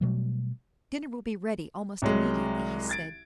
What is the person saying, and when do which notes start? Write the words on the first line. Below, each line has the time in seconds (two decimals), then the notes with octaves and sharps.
"Dinner will be ready almost immediately," he said.
0.01 B2 F#3 G3 A3
2.02 C2 F#3 G#3
2.89 G#6 A6 D7